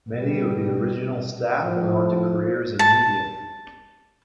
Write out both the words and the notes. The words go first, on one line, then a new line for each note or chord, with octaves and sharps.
Many of the original staff went on to careers in media.
B2 G3
A2 F3
A5